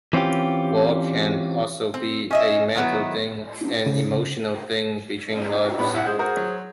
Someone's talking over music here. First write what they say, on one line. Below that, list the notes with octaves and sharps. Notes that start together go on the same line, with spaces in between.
War can also be a mental thing, an emotional thing between loves.
E3 C4 C#4 F4 G4
C4
C#4 D#5 E5
D#3 F#3 B3 E4
C#3
A2 G3 B3 B5
C2 E4 F#5
G#3 G#4 C5
F#4 G#4 A#4 C5
F#3